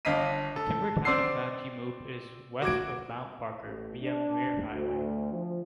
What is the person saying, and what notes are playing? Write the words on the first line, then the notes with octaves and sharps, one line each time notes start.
The timber town of Manjimup is west of Mount Barker, via Muir Highway.
G1 D4 D#5 F5 B6 D#7
A4
C4 D5 C6 E6 C7
F#4 D6 G#6 D7
A1
D4
D2
F3